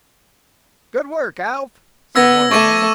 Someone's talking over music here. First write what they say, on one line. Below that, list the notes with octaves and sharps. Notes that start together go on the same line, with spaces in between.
"Good work, Alf!" said one of the men.
B3 E6 G#6 A#6
A3 C#6 D6 D#7